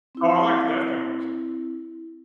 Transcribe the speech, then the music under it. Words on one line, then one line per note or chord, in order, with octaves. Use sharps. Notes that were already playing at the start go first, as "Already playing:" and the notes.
Oh, I like the Deftones.
C4 E4